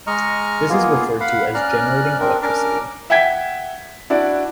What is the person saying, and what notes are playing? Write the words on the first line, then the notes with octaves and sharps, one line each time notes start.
This is referred to as generating electricity.
G#3 D#5 A#5 C#6 F6
A#3 B3 F4 G#4
F5 F#5 B5
C#4 D5 A#5 F6 F#6
C4 D4 A#4
C#4 D4 A#4 A#5 D6 F6
E5 F#5 G5 G#6 B6
D4 E4 F#4 D5